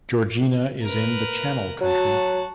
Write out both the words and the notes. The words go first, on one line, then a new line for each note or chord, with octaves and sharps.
Georgina is in the Channel Country.
A#4 B4
F#3 F#4 A5